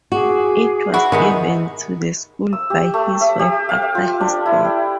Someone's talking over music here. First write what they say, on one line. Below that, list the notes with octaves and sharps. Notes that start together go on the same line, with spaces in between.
It was given to the school by his wife after his death.
F#4 G#4 D6
E4 F#4
D#3 G#3 B3 D#4 G4 G#4 E5
E6
G4
A3
E5
G4
F5
E5
F4
D4
E4
G5